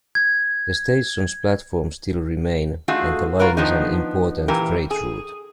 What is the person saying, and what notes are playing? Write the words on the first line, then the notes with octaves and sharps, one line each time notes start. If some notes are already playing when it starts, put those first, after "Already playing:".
The station's platforms still remain and the line is an important freight route.
G#6
A3 D#4 F4 F#4 G#4
F4 F#4 A#4 B4
D#3 F3 B3 D4 D#4
A#2 E3 G4 A#4
G#4